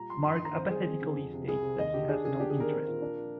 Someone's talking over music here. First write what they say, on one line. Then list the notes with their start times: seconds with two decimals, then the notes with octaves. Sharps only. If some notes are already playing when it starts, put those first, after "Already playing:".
Mark apathetically states that he has no interest.
Already playing: A#2 G3 A#5
0.10 F3 C6
0.24 G2 C6
0.35 C6
0.40 D#3
0.45 A#5
0.55 C4 C5
0.70 D#3 G#4
0.86 C4
1.01 D3
1.16 F2
1.33 C3
1.48 C2 G#4
1.62 C3
1.78 D#2 D#5
1.94 D3 G4
2.09 D4 G#4
2.24 D3 G#4
2.40 D4 G4
2.50 G#4
2.55 D#3
2.60 A#4
2.70 C4
2.87 A#2
3.02 D4
3.17 F3